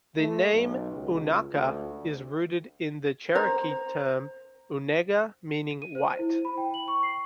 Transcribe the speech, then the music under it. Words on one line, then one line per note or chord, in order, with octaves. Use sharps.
The name "unaka" is rooted in the Cherokee term "unega", meaning "white".
A3
B1
C#2
D2
C5 A#5
D#7
C5
E4
B5
G5
F#7
C#6
C7